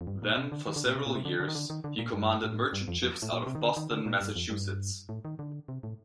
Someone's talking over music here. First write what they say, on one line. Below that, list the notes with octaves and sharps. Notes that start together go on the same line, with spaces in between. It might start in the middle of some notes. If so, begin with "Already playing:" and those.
Then, for several years, he commanded merchant ships out of Boston, Massachusetts.
F2
G2
A#2
C3
D3
D#3
D3
A#2
C3
A#2
C3
D3
D3
D#3
D3
D#3
D3
A#2
G2
A2
G2
F2
F2
A2
A#2
C3
D#3
D3
D#3
D3
A#2
G2
F2
G2
A2
D#3
D3
C3
A2